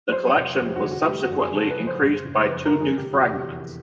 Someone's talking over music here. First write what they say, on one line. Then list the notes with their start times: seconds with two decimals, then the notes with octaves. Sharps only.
The collection was subsequently increased by two new fragments.
0.12 F#3 C5
0.27 C#5
0.36 F1
0.59 F2 G4
0.76 F#4
0.83 D3
0.91 F#4
1.06 A3 G4
1.23 F#4
1.30 F#2
1.39 G#4
1.55 C#3 A4
1.70 B4
1.78 F3
1.87 C5
2.02 F#1
2.25 F#1
2.49 F2 B4
2.66 A#4
2.73 D3
2.81 G#4
2.97 F1 G4
3.13 F#4
3.20 F1
3.29 G4
3.45 E2